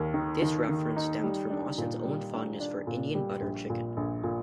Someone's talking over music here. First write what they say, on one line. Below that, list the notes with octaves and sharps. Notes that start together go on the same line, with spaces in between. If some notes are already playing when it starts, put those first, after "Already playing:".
This reference stems from Austin's own fondness for Indian buttered chicken.
Already playing: D#2 A#3
D#3
D#3
D#3
D#4
G3
D4
A#2
G3
D4
D4
A#2
G3
A#1
A#2
A#1
A#2